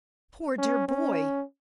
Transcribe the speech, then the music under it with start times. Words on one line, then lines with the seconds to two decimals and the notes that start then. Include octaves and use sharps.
Poor dear boy!
0.58 C#4
0.88 C#4